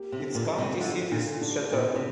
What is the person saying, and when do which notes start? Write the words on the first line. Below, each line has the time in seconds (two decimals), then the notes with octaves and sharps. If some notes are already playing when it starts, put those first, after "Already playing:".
Its county seat is Choteau.
Already playing: A#3 G4
0.12 C3
0.20 D3
0.35 A#2
0.51 C4
0.58 C3
0.80 D3 F4
1.11 A#2 D3
1.41 D4
1.72 A#2 E4
1.95 C3